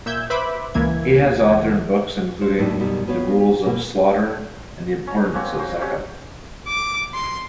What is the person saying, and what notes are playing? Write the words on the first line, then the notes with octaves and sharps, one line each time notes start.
He has authored books including "The Rules of Slaughter" and "The Importance of Zakat".
A#2 E5 E6 G6 G#6
B4 C5 E5 B5 D6
C#2 E3 A#3 E5 G#6
C5
D#2 A2 A3 D4 D#4
F#2 B2 D#3 F#3 G3
B3 F#4 C#5 F5
G4
B2 A#3 A#4
C#4 A#5
A#3 C4 C#4 F#4
F#4 C5 D6
F#3 C4 C#4 G4
D6
C6